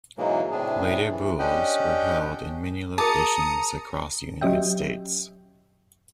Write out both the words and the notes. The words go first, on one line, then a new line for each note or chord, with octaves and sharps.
Later Boules were held in many locations across the United States.
G#2 B2 E3 F#3 G#3 A#3
A2 C3 D4 G#4
E3
C#4 D4 G4 D#5 F#5 G5
G#4 A#4 A5 A#5 D#6 C#7
F#3 C#4 G4 D#5 E5 G5